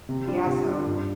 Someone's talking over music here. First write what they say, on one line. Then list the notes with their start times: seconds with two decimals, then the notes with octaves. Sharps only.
Yeah, so
0.09 C3
0.28 G3 D4 F4
0.46 C3
0.66 G3 D4 F4
0.86 G2